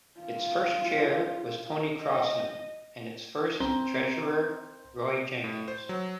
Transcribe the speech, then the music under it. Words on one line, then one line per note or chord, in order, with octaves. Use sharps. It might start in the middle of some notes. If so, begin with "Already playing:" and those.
Its first chair was Tony Crosland, and its first treasurer Roy Jenkins.
F4
D#5
C4 A#5 G7
A2
C5
F#3